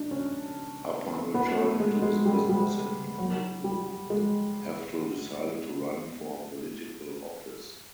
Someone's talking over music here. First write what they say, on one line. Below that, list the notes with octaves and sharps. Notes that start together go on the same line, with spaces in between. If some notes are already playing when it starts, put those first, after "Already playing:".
Upon returning to his business in Honolulu, Heftel decided to run for political office.
Already playing: D4 D#4
C#4
B3
A3
G#3
G#3
G3
G#3
G3
F#3
G3
G#3